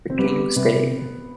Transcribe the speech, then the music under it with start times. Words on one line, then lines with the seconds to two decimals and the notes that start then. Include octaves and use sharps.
The King stayed.
0.10 C4
0.19 G3 B3
0.56 C3 B3